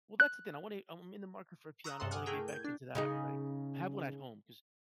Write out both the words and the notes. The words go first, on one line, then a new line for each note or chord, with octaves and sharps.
Well, that's the thing, I want it I'm in the market for a piano. I want to get back into that, like, I have one at home 'cause
F#6
A#5 C#6 D#6 E6 F#6
G2 C3 A4 F#5 C6
F#5 G#5 D6 D#6 F6 F#6
A3 E4 G#4 A#4 G5
G6 G#6
D4
C#3 D#4 G#4